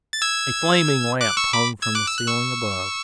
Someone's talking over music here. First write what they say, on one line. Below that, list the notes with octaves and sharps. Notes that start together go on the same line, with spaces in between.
A flaming lamp hung from the ceiling above.
A6
E6 G#6
D6 F#6
C#6 E6
B5 D6
E6 G#6
D6 F#6
E6
F#6
C#6 E6